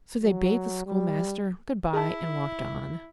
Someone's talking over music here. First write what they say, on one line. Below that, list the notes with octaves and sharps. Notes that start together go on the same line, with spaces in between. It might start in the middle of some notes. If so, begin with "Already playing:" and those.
So they bade the schoolmaster good-by and walked on.
F#3
G3
E4 G#4 A5